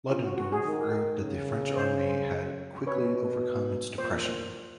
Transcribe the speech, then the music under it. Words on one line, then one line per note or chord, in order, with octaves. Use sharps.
Ludendorff wrote that the French army had "quickly overcome its depression".
F4
F#4
F#4
G#4
D#3
C#3
C5
B2 B4 C#5
A#2 C5